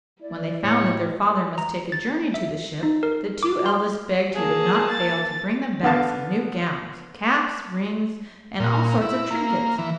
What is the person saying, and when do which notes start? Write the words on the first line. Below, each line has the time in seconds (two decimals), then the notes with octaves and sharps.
When they found that their father must take a journey to the ship, the two eldest begged he would not fail to bring them back some new gowns, caps, rings, and all sorts of trinkets.
0.21 E4 D5
0.64 A2 C#5 D#5 G5 B5
1.58 A#5
1.92 A6
2.34 E5
2.83 D#4
3.03 A#4
3.43 D6
3.66 C6
4.34 A#3 G#4 A5
4.90 A6
5.83 D3 B3 F5 A5
8.60 A#2
9.02 E4
9.31 A#3
9.78 E3